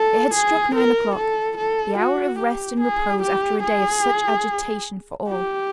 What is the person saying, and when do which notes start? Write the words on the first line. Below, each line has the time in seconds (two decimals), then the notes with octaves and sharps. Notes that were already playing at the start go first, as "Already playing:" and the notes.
It had struck nine o'clock--the hour of rest and repose after a day of such agitation for all.
Already playing: A4
0.34 G#4
0.75 A#4
1.16 A4
1.57 A4
1.99 F#4
2.40 G4
2.81 G#4
3.22 G4
3.63 G#4
5.29 G4